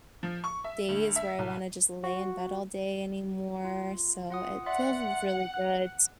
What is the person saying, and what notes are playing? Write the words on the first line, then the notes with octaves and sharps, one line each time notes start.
days where I wanna just lay in bed all day anymore, so it feels really good.
F3
C#6
E5
D2
E5
C2
F#4
F4
F4 F#5 D#6
D5 E5 F#5 C6
F#6